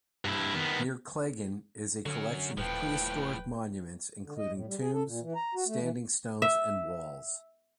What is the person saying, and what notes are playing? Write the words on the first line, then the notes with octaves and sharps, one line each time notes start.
Near Cleggan is a collection of prehistoric monuments including tombs, standing stones and walls.
G2 E4
D#3 B3
D3 F#3 C#4
D#1 A2 F3 B4 G5
D3
D#5
A2
G3
G#4
A4
A#2
E3
A#5
F#4
A3
E3
E5